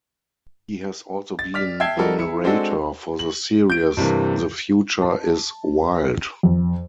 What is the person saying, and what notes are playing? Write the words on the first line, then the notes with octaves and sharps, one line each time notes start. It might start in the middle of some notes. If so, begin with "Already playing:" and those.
He has also been the narrator for the series "The Future Is Wild".
A6
D5 F6 B6
E5 G5 A5 G#6 C7
F3 G3 D#4 F#4 A4 A#4
E4 C#7
G#3 C4 D4 F#4 A4
F#7
G6 D7
G2 C3 E3 A#3
A5
F2